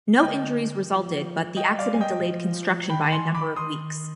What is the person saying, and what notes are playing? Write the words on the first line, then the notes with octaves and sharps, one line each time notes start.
No injuries resulted, but the accident delayed construction by a number of weeks.
D3 D#5 G5
F3
G3 D#5 G5
D5 F5
G#5
D#5 G5
F3
D#3 G5 B5
G#5 C6
B5 D6
D#3 C6 D#6